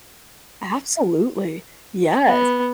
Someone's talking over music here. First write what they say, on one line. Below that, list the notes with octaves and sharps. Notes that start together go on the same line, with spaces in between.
Absolutely. Yes.
B3